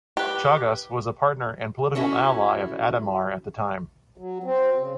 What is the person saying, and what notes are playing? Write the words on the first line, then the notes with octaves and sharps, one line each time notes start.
Chagas was a partner and political ally of Ademar at the time.
G4 B4
C#4 E4 F#4 A4
F#3
C4
C#3